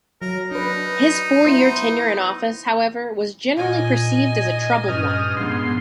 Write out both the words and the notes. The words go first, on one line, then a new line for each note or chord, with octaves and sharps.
His four-year tenure in office, however, was generally perceived as a troubled one.
F#3 A#4
D4 D#4 B4
B3 E4 C5
A#2 F4 D#5 G#5
G2 C#4 B4 D#6 F6
G#2 F3 B3 D4 C6